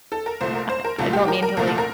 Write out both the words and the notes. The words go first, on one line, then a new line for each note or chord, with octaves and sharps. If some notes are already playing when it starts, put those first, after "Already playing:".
I I don't mean to, like,
A4
A#4
C2 A#2 A3 C5
A#4
C5
A#4
C2 A#2 A3 A4
G4
A#4
A#4
C2 A#2 A3 A#4
A4
A#4